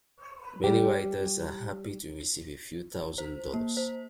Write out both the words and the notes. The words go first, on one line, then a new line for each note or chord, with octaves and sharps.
Many writers are happy to receive a few thousand dollars.
G3 G4
C5
A#3
C5